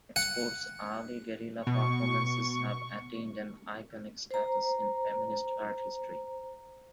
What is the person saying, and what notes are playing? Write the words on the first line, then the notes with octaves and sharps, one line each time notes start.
Export's early guerrilla performances have attained an iconic status in feminist art history.
F#5
B2 C#6
C5 A#5